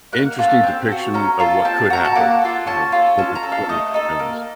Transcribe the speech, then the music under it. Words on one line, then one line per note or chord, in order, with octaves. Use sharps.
interesting depiction of what could happen, you know, w when when it comes.
A#3 F#5
C#4 F4 A4
C4
F#4 A4
C#4 A#5
F4 A4
C4 A5
F#4 A4 A#5
A5
A#3 F#5
F4 A4
C#4 A5
F4 A4
C#4 A5
A#5
A4
F5
A3 D#5
D#4 A4
A#3